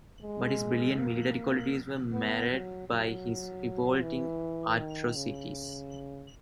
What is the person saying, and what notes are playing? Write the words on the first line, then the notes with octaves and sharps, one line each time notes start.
But his brilliant military qualities were marred by his revolting atrocities.
G#3
A#3
B3
F#3
F#3
E3
D#3
C#3